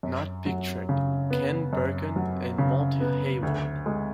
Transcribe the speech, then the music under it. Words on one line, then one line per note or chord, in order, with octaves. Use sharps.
Not pictured: Ken Berkun and Monte Hayward.
F#2
F#3
C#3
B3
F#2
F#3
C#3
B3
D2
G#3